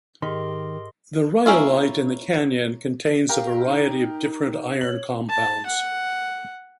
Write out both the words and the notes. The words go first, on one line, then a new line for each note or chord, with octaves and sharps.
The rhyolite in the canyon contains a variety of different iron compounds.
G#2 D#3 G4 A#4 D#5 C6
A#3 C#4 E4 F4
G4 A#4 F5
D#4
C#5 F#7
A5
F#5